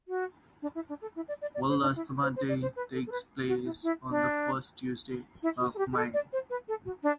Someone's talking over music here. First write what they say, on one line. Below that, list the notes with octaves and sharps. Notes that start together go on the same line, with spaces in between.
World Asthma Day takes place on the first Tuesday of May.
F#4
D4
E4
D4
A4
E4
D5
D5
D5
C5
D4
E4
C5
C5
D5
C5
B4
A4
A4
B4
F#4
E4
E4
D4
E4
F#4
A4
G4
G4
A4
D5
C5
B4
A4
F#4
D4